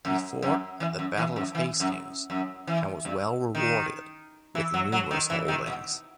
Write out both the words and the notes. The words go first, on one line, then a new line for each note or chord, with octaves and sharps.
He fought at the Battle of Hastings and was well rewarded with numerous holdings.
F#2
F#2
E3
F#2
E3
F#2
E3
F#2
F#2
E3
G2
D#3
E3
F#3
F#3
D#3
E3
D#3
B2